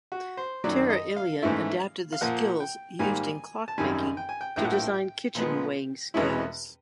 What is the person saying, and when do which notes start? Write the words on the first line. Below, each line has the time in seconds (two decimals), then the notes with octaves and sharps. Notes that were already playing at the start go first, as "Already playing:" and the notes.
Terraillon adapted the skills used in clock-making to design kitchen weighing scales.
0.12 F#4
0.37 C5
0.64 F#2 D#3 F#3 D5
0.90 D#5
1.16 F5
1.42 G#2 E3 A3 C#4 E4
2.13 F5
2.21 A#2 F3 A#3 F#5
2.60 G5
2.99 G#2 D#3 G3 A#3 G#5
3.68 A5
3.78 G#1 F#2 D#3 G3 G#5
4.17 G5
4.29 G#5
4.41 G5
4.56 A#1 A2 F3 G5
4.65 F#5
4.73 G5
5.35 A#2 F3 G#3 B3
6.14 E2 B2 G#3 C#4 E4